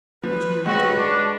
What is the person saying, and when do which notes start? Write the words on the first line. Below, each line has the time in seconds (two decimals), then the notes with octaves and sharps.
'What are you doing?
0.23 F3 B4
0.66 G#3 C4 F#4 B4 C#5
0.97 D4